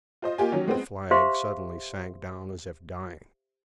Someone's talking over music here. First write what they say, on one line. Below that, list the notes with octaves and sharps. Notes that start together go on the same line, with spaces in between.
The flag suddenly sank down as if dying.
F4 C5 D#5
A#3 F4 G4 G#5
D#3 F#3 C#4
G#3 B3 C4
G4 C5 E5 F5 A#5 C6